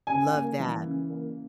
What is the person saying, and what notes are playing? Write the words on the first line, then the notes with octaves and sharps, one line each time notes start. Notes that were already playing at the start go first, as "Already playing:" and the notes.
Love that.
C#3 G#5
A#3
E3
C#3
A#3